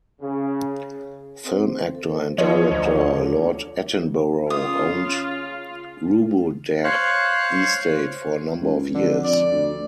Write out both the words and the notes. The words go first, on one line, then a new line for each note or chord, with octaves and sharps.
Film actor and director Lord Attenborough owned Rhubodach estate for a number of years.
C#3
C4 C5
A4
F3 F4 C#5 D#5
D2
D4 C#5
C#3 F4 D#6
C5 C#5 F5 F#6
C#2
F2 D3
D5
D2